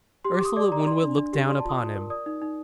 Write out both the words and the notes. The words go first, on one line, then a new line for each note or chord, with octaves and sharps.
Ursula Winwood looked down upon him.
G4 C6
D6
G4
D#6
D5 D6
D5 A#5
D5 C6
D4
D4
G4
D5 C6
A5
F4 D#6
F4
A#4
D5 D#6
D#4
D#4